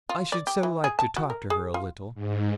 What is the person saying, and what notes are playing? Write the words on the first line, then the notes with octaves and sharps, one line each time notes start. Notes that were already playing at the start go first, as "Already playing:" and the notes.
I should so like to talk to her a little.'
F4
D5
G4
E3
G#4
A5
F#4
A#4
G#4
F4
G#2